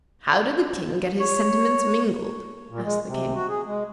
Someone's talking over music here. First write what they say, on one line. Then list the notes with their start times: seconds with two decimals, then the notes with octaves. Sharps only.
"How did the King get his sentiments mingled?" asked the King.
1.20 C#5
2.70 A#2
2.84 G#3
3.07 C3
3.35 F#4
3.49 G#4
3.66 G#3